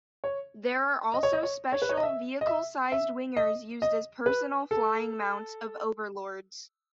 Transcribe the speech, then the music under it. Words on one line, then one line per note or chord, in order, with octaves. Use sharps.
There are also special, vehicle-sized Wingers used as the personal flying mounts of Overlords.
C#5
D#5
C#5
D#5
C#5
C#5
B4
C#5
D#5
E5
D#5
E5
E5
D#5
D#5
B4
A4